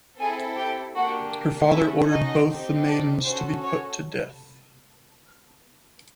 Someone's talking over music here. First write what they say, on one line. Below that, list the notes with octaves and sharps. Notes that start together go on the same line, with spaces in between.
Her father ordered both the maidens to be put to death.
C4 E4 G#4 A4 G#5
G4 G5
A#3 D4 F#4 G4 F#5
C#4 E4 F#4 A4 E5
D#4 D#5
C4 D#4 G4
D4 D5
C#4 F#4 A4 C5
C#5